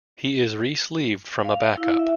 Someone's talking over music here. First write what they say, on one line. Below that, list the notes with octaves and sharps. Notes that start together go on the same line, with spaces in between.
He is resleeved from a backup.
F5
E4
E5